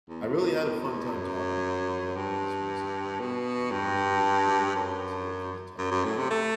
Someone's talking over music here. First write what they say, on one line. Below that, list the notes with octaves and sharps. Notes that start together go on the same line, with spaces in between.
I really had a fun time talking with you about all this music though. Um, it was really cool to kinda talk about
E2
F#2
G2
B2
G2
F#2
F#2
F#2
A2
C3
A3